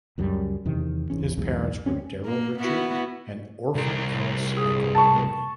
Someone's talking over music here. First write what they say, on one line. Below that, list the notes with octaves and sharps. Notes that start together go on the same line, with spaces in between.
His parents were Darrell Richard and Orpha Alice Michael Murray.
C#2 F#2 C#3 G3
E2 C3 D#3
G#1 E2 C#4
B1 E2 G#2 B2
D2 C4 C#4
A#3
B3 E4 F#4
C2 A#4
G#4
A5 C#6